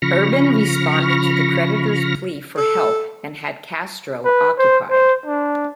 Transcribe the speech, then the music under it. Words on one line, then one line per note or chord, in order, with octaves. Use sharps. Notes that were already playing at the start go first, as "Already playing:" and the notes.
Urban responded to the creditors' plea for help and had Castro occupied.
C#3 F3 B5 C#6 F6 A#6
A4
B4
C5
C5
D4